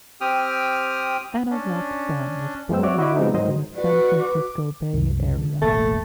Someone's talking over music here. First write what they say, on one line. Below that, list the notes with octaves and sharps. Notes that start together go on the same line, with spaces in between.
Ana Roxanne was born and raised in the San Francisco Bay Area.
C4 G4 G5 D#6 F6
C#4 D4
F#2 G#3 B3 C5 G5 E6
C4 F#4 C#5 D5 E5 D6
E4 F#4 D#5 E5 B5 D6
F3 G3 G#3 B3 C4 D#4
G#2 D#3 F#3 C5 D#5
F#4 B4 D5
D6
C2 F#2
D3
E1 A1 A3 A#3